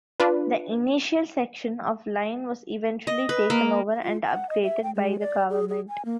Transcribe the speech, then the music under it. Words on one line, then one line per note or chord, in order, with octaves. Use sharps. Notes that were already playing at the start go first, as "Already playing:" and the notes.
The initial section of line was eventually taken over and upgraded by the government.
D4 F4 B4
D#5
B4
A#3
F4
F#5
D#5
E5
G5
G#3
D5
G#4
G#4
G#5
A#3